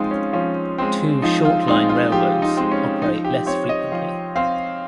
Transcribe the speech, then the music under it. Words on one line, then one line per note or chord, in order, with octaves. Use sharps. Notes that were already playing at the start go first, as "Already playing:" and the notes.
Two short-line railroads operate less frequently.
Already playing: F3 G#3 C4 D#4 F4
C#4
F3 C#4
G#3 C4
F3 D#4
F4
G#3 C4 D#4
F4
F3 G4
D#4
G#3 C4
C#4
F3 D#4
G4
C4 C#5
D#5
F3 F5
C4 F5